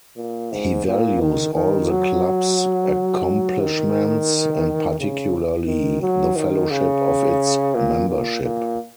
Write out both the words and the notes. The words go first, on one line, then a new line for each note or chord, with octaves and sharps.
He values all the club's accomplishments and particularly the fellowship of its membership.
A#2
G#2
A#2
D#3
D#3
F#3
D#3
C#3
D#3
F#3
D#3
C#3
A#2
A#2
A#2